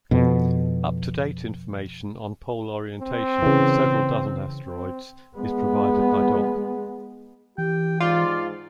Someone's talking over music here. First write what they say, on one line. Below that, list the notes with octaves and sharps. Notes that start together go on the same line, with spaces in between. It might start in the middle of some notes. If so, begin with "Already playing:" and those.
Up-to-date information on pole orientation of several dozen asteroids is provided by Doc.
F2 B2
C4
C#3 E3
C4
G#3 B3
E3 G4 G5
G#2 F4 D5